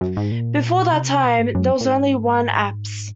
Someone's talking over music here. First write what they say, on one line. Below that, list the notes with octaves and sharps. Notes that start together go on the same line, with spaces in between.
Before that time there was only one apse.
F#2
G#2
A#2
C3
A#2
G#2
F#2
A#2
G#2